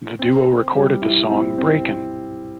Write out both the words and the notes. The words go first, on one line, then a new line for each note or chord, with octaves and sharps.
The duo recorded the song Breakin'...
C4
C4
G3
E4
C4
C4